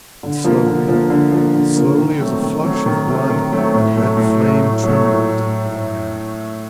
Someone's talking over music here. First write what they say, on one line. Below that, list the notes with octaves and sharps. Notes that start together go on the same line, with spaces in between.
And slowly, slowly as a flush of blood, a red flame trembled in the wire.
D3
F3 A#3
D3
F3 A#3
D3
F3 A#3
D3
F3 A#3
D#3
F#3 A3 C4
D#3
F#3 A3 C4
D#3
F#3 A3 C4
D#3
F#3 A3 C4
A2
F#3 A3
A2
F#3 A3
A2
F#3 A3
A2